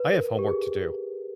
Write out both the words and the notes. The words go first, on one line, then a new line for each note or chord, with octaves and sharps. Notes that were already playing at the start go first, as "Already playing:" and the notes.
I have homework to do.
Already playing: B4
A#4
G4
G#4